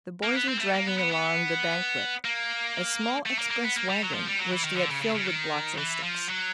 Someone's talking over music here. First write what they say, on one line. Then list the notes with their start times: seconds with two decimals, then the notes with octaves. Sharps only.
The boys were dragging along the banquette a small "express wagon," which they had filled with blocks and sticks.
0.24 A#3
0.35 B3
0.49 C4
0.57 A#3
0.60 A3
0.74 A#3
0.86 B3
0.98 B3
1.12 B3
2.25 A#3
3.26 A3
3.39 A#3
3.51 A#3
3.64 B3
3.76 A#3
3.89 G3
4.02 F#3
4.13 F3
4.27 G3
4.39 F#3
4.52 E3
4.64 D#3
4.76 D3
4.90 C#3
5.02 C#3
5.15 C#3
5.27 D#3
5.78 E3
6.03 F3
6.29 F#3